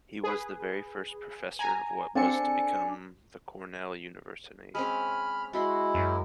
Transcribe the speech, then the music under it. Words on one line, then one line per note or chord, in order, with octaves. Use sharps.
He was the very first professor of what was to become the Cornell University.
G#4 B4
G#5 A#5
C4 D4 A4 G#5 C#7
G#3 C4 C#4 B5 F6
G#3 E4 F#4 B5 C6
F#2